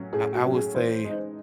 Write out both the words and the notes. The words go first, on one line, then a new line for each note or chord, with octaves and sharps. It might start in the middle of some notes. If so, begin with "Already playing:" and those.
I I will say
Already playing: A2 F#3 C#4
A2 G#4
F#4
F#3 C#4
G#4
E3 C5
G#3
D#4